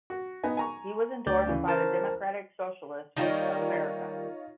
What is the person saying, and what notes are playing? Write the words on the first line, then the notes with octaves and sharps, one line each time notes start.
He was endorsed by the Democratic Socialists of America.
F#4
B3 D#4 G#5
G#5 A#5 C#6
D2 D5 G6
C#3 E3
A#4 C5 A5
D#3 G3 A#3 D#4 F4 C#5